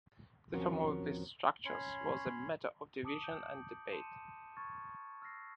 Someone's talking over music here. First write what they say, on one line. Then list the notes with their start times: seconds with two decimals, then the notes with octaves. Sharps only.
The form of these structures was a matter of division and debate.
0.53 D#2 F3 C4 C#4 F#4 A#4
1.65 C#4 C#5 B5 C6
3.05 A5 D6 D#6 C#7 D7 F#7
3.24 G6
3.91 A5 C6 C#7 D#7 E7
4.57 B5 C#6 F6 G#6 A6
5.22 E6 F6 A6 A#6 C7